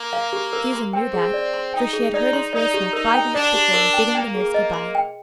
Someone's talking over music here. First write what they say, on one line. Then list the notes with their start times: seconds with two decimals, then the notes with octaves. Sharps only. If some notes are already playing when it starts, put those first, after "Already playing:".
Susan knew that, for she had heard his voice not five minutes before, bidding the nurse good-bye.
Already playing: A#3
0.13 F5
0.33 G4
0.53 A#4
0.73 C6
0.93 C4 G5
1.13 G#4
1.34 D5
1.54 C6
1.74 D#4 G5
1.93 G#4
2.14 D#4 D5
2.33 C6
2.53 D#4 D5
2.74 G4
2.93 D#4 A#4
3.14 G5
3.34 D4 D5
3.54 G4
3.74 A#4
3.94 G5
4.14 A#3 G5
4.35 G#4
4.54 D#5
4.74 C6
4.95 G5